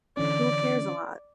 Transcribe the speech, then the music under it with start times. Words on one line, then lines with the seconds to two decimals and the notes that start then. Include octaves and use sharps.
Who Cares a Lot?
0.17 D3 E3 C#4 D5